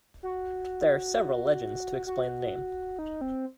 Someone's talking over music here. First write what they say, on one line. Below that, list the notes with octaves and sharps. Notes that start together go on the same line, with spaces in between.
There are several legends to explain the name.
F#4
F#4
D#4
C4